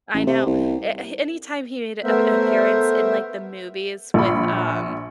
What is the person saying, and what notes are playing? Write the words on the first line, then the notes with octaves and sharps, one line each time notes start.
I know, a anytime he made ap an appearance in, like, the movies with, um,
A1
C3
C2
A3 B3 A#4 C5 E5
A#1 B5